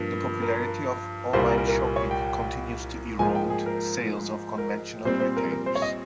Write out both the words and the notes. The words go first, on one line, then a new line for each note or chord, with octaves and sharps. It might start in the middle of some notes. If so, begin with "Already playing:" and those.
The popularity of online shopping continues to erode sales of conventional retailers.
Already playing: G2 F3 A#3
A#4
C2 A#2 G3 A#3 C5
A#4
A#4
A#4
C#5
G5
G#2 F3 A#3 G#5
G5
G#4
A#4
A#4
A#2 G3 C4 C5
C5
A#4
A#4
C5
C#5
D#5